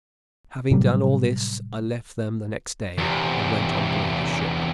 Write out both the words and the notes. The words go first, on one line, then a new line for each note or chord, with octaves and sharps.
Having done all this I left them the next day and went on board the ship.
A2 C3 F#3 G3
E2 C3